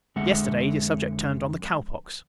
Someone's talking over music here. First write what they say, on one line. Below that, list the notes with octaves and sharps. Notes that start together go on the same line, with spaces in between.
Yesterday, the subject turned on the cow-pox.
F2 D3 G#3 E5 F#5